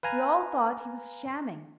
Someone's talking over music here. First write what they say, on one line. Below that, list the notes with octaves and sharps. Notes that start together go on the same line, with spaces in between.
We all thought he was shamming.
B4 F5 G#5 A#5